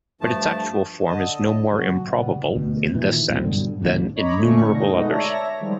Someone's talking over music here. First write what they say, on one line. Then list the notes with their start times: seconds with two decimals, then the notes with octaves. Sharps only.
But its actual form is no more improbable, in this sense, than innumerable others.
0.21 G2 F3 A3 A5
1.06 D3 D#5 A5
1.72 C#3 F#3 F#4
2.06 A#2 C#3 G3 B3
2.56 D2 B2
2.94 A#2 D#3 E3
3.29 E1 A2 F#3 C4
3.45 G2 B2 D3
3.82 A1 D#2 C3 D4
4.16 C#5 D#5 A#5 B5 D6
4.36 F2 D3 A3 C#4 C#6
4.70 B2 D3 D#4 A#6
4.90 G#3 A3 B3 D#4 F#4 D#5
5.08 C#5 D5 E5 A5 A#5 A#6
5.60 D#3 F3 G3 G#3